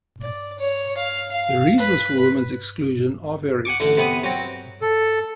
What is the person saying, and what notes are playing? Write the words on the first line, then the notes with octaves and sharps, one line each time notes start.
The reasons for women's exclusion are various.
D5
C#5
F5
F5
B4
F#5 G#5 C#6 D6
A1 D3 F#5
C3 B3 F#5 G#5 D#6
F#3 C4 F#4
A4